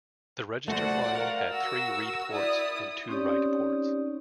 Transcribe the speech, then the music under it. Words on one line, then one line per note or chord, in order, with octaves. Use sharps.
The register file had three read ports and two write ports.
A3 F#4 C5 D5 F#5
A#4 F5
F#4 F#5 E6
E4 D5 D#6
C4 C#4 D#4 G4 C#5 D5